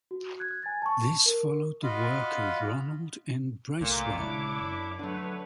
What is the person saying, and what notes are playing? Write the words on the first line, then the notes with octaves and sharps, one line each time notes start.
This followed the work of Ronald N. Bracewell.
F#4
F#6 G#6
G#5 G#6 A6
A5 C#6
A#4
F4 F#4 D#5 F5 B5
C2 A#2 A3 C#5 D6
D#1 C#3 G#3 D4 E4
F#2
D3 F#3 A3 D4 B4 C#5